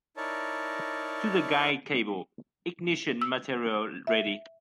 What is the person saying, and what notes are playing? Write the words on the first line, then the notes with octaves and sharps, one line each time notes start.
To the guide cable. Ignition material ready.
D#4 E4 A#4 C#5 D5 A5
E6
E5